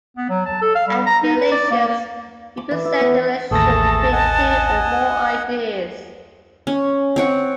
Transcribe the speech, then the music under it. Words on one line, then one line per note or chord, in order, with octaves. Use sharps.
And relations represent the relationship between two or more ideas.
B3
F#3
A5
A4
F5
G3
A#5
D#4
B4
D5
A#3
A#3
D6
E3
E5
B3
A1 D#2 A3 G#4 A4 A5 A#6
D#5 F#5 G#5
C#4
C4 C#5 F#5